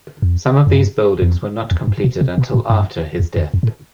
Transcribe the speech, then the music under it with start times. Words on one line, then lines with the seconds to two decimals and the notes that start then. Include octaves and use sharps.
Some of these buildings were not completed until after his death.
0.22 F2
0.67 F2
0.73 G2
1.22 F2
1.71 E2
1.87 G2
2.04 B2
2.21 C3
2.38 B2
2.54 A2
2.70 G2
3.20 E2
3.37 E2
3.54 F2
3.63 A2